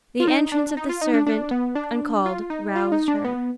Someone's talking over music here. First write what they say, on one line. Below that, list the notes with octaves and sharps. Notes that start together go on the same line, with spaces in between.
The entrance of the servant, uncalled, roused her.
F4
D#4
D4
D#4
F4
D#4
D4
D4
B3
D4
F4
D#4
F4
D#4
D4
B3